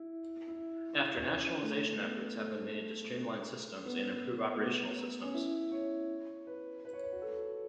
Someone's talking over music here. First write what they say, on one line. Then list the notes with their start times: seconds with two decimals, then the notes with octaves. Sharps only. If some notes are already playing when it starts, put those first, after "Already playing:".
After nationalisation efforts have been made to streamline systems and improve operational systems.
Already playing: E4
0.48 E4
1.23 C#4
1.61 A3
1.98 B3
2.35 A3
3.85 B3
4.55 A3
4.59 B3
5.23 C#4
5.34 E4
5.72 C#5
6.47 B4
6.85 B4
6.93 C#5
7.03 B4
7.12 F#4
7.22 A4